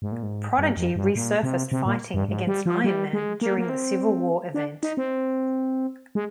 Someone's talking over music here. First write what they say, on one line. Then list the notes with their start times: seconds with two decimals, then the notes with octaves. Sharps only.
Prodigy resurfaced fighting against Iron Man during the Civil War event.
0.02 G#2
0.12 A#2
0.23 G#2
0.59 G2
0.77 F2
0.96 G2
1.15 A#2
1.43 C3
1.72 C3
1.86 A#2
2.14 G2
2.28 G#2
2.47 G3
2.66 F3
2.84 G3
3.13 G#3
3.41 A#3
3.58 A#3
3.69 C4
4.54 D4
4.83 D#4
4.97 C4
6.15 G#3